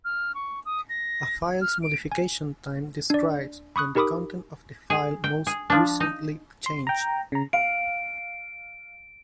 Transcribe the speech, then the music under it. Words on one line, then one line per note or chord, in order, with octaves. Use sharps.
A file's modification time describes when the content of the file most recently changed.
F6
C#6
D#6
A#6
F6
D7
G#5
D4 D5
B5 C#6 D#6 F#6
D#4 G4 A#4 B5 D6 D#6
G#4
G5
G#4
F3 D4
D#4
C6
G5 A#5
C#3 A#5
F5 D7